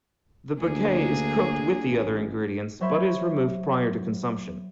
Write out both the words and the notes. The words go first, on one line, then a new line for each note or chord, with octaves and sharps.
The bouquet is cooked with the other ingredients, but is removed prior to consumption.
D2 A#3 D4 G#4
A1
F#3 C5 C#5 E5 B5 G#6